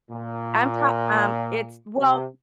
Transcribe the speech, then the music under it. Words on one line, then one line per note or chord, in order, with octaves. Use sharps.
I'm talk um, it's well,
A#2
C3